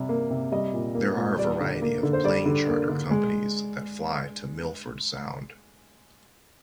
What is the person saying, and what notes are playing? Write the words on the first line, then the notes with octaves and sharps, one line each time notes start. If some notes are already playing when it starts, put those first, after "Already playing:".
There are a variety of plane charter companies that fly to Milford Sound.
Already playing: C3 G3
A#3
C3
G3 D#5
A#2
A#3
A#2
G3 D5
D3
A#3
D3
C5
G3 D5
D3
A#3
D3
G#3